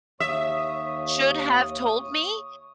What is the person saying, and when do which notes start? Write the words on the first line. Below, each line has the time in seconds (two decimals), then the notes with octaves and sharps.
should have told me?"
0.20 D#2 C#5 E5 D#6